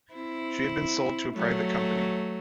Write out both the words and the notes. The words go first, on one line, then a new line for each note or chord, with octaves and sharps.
She has been sold to a private company.
C4 E4
F#3 A3